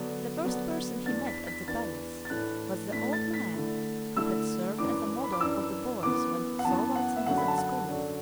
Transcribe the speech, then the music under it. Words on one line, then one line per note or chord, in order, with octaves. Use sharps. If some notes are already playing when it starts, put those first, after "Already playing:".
The first person he met at the palace was the old man who had served as a model for the boys when Thorwaldsen was at school.
Already playing: D3 F#3 B3 D4
D3 F#3 B3 D4
E2 E3 D4 A6
B6
B6
E2 E3 D4 A6
A6
A2 E3 A3 D4 F#6
A2 E3 A3 D4 B6
A6
B6
D3 A3 E4
D3 A3 E4 E6
F#2 E3 D4 D6
B5
D6
F#2 E3 D4 E6
F#2 E3 B3 D6
F#5
F#2 E3 B3 A5
F#5
E5
F#2 D3 F#3 D4 F#5
B5
A5
F#5
F#2 D3 F#3 D4